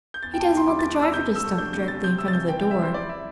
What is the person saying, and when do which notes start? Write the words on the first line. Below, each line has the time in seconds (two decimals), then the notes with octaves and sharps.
"He doesn't want the driver to stop directly in front of the door."
0.14 G6
0.23 E2 A6
0.34 G5
0.38 E2 A5
0.45 G5
0.52 D3 C6
0.68 G3 D6
0.79 E2 A6
0.95 D6
0.99 E2 E6
1.13 C3 G6
1.28 C3
1.35 E6
1.44 A3
1.58 D4 G6
1.73 C3 G6
1.88 C3 A6
2.04 C4 G6
2.18 C2 E6
2.28 A6
2.33 C3 G6
2.48 E3 G5
2.60 C4 G5
2.71 E5
2.79 C2 C5
2.94 E4 D5
3.09 E5